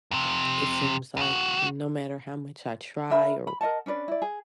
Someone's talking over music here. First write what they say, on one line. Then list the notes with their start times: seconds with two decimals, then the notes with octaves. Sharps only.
it seems like, no matter how much I try, or
0.11 F2 C3
1.17 D#2 F#4
3.10 D4 A#4 E5 B5
3.47 B5
3.61 A#4 D#5 F#5 A5
3.86 C#4 D4 B4 D5
4.08 E4 D5
4.22 G#4